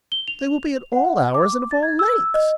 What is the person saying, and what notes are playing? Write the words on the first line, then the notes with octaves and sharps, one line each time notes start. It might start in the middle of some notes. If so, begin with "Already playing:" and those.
They will be at all hours, and of all lengths.
G7
F7
F#5
D6
A6
G#6
E6
D#5